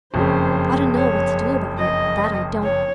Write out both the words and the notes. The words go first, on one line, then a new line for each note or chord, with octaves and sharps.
I don't know what to do about it, that I don't.
F#1 F2 C#3 C5
C#5
D#5
C#5